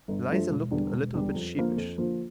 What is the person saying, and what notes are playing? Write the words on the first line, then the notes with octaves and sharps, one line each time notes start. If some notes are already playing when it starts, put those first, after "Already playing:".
Eliza looked a little bit sheepish.
G1
G2 F3 A3
E1
E2 D3 G3
E1
E2 D3 G3
F2
D3 F3 A#3
F2
D3 F3 A#3